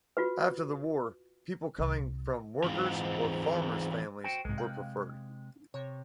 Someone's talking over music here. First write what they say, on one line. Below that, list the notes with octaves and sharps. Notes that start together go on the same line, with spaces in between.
After the war people coming from workers' or farmers' families were preferred.
F4 F#4 B4
C2 C3
G#2 E3 C4 F4
F#4 C5 G5
B1 G#2 C3 G#3
F5 G5 F#6
C3 C#5